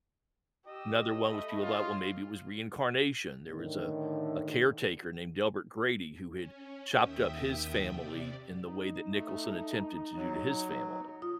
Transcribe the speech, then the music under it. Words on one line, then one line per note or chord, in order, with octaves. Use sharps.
Another one was people thought, "Well, maybe it was reincarnation." There was a a caretaker named Delbert Grady who had chopped up his family in the way that Nicholson attempted to do to his family
G4 D#5 E6
A3 B5
F4 C#5
A2 D3 D#3
C#4
D#2 E5 G5 D#6
C3 D5
D#4
A3
F#3
F4 D#6